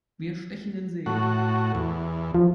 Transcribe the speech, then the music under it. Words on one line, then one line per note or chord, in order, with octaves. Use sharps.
Wir stechen in See!
A2 F#4
E2
F3